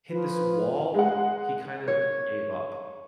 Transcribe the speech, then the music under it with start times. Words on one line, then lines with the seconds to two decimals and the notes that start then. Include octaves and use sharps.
hit this wall, he kind of gave up,
0.11 F3 B4
0.94 G#3 F#5
1.88 C#5